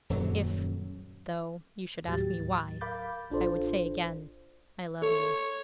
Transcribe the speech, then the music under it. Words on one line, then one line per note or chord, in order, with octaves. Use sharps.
If, though, you should ask me why, I would say again, I love you.
D#1 F#2 F#3
D#2 A2 F#3 G4 A6
A#4 F5 B5 D6 G6 A6
A1 D4 F4 A4 C5
A4 C#5